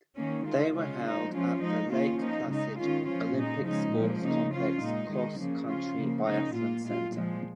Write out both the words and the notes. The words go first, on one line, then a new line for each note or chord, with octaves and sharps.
They were held at the Lake Placid Olympic Sports Complex Cross Country Biathlon Center.
D#3 A#3 C#4
D#3 G#3 F4
C#3 G#3 C#4 F4
F3 G#3 D#4
F3 C#4 F4
F3 G#3 D#4
D#3 A#3 C#4 F4
F3 A#3 D#4
C#3 G#3 D#4
D#3 C#4 F4
F3 C#4 F4
A#2 G#3 D#4
C#3 F3 G#3 D#4
A#2 F3 G#3
C#3 A#3 D#4
F3 C#4 F4
A#2 G#3 D#4
D#3 G#3 D#4
C#3 F3 A#3
F3 C#4 F4
C#3 F3 A#3
C#3 A#3 D#4
A#2 A#3 F4
A#2 G#3 F4
A#2 F3 G#3